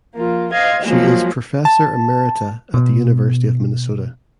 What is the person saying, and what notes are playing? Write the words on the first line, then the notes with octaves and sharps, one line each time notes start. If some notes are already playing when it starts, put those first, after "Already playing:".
She is Professor Emerita at the University of Minnesota.
F3 A#3 F4
C5 D#5 F5 G#6
F3 F#3 G#3 A#3
A5
B2